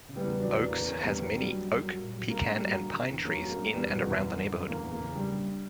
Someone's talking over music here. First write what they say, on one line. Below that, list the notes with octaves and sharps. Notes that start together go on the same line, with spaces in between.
Oaks has many oak, pecan, and pine trees in and around the neighborhood.
C#3
G3 B3
E2
F#3 B3 D4
E2
E2 A#3
B3
D3 A#3 C#4
E2 G3 B3
D3 A#3
F#3 G3
F#3
F#2
F#3
A#2
F#3
G2 A#3
G2
G3
F#3 A#3
D3
D3
E2
F#3 A#3 C#4
F#3
A#3
G2
E2 G3 B3
B2
E2
F#2
D3
F#2
E2 A#3
E2
A#3
C#3
G2 G3
G2